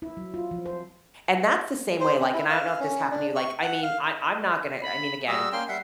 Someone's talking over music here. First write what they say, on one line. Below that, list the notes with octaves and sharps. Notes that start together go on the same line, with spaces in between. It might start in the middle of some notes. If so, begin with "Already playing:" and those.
and that's the same way, like- and I don't know if this happened to you- like I mean, I 'm not gonna I mean, again,
E4
F#3
F4
F3
C5
C5
C#4
E4
F5
C#4
D4
C#6
F#5
F5
B5
G3 F#4 G#4 E6
A#3 C#4 G5 C6
G3 E5 F#5 C7